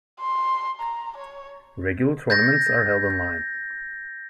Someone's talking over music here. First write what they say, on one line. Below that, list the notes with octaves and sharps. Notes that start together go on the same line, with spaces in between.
Regular tournaments are held online.
C6
A#5
C#5
G6 A6 A#6